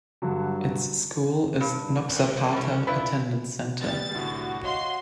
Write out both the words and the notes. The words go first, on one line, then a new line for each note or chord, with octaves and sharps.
Its school is Noxapater Attendance Center.
G2 D3 F#3
G2
C2
B2 C#4
D4 E4 F4 B4
G3 B3 A6
C2 A2 D3 F#4
C#5 D#5 F5 C6